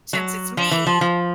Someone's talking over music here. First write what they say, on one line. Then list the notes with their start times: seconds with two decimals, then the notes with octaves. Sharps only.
since it's me,
0.13 F#3
0.57 F3
0.71 E3
0.87 F3
1.01 F3